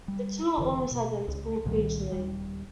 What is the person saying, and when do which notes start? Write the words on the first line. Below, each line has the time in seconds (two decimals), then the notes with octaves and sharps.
The two are almost identical featurally.
0.08 G3
0.58 F1 D3 E3
0.91 B2
1.28 C#2
1.65 C2 A#2 D#3 G3
2.12 D#1 G3